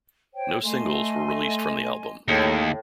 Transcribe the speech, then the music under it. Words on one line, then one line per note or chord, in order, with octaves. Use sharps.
No singles were released from the album.
C5 C#5 G5
A3 D#5 G#5 C6
D#2 A2 A3 G#4 G5 A5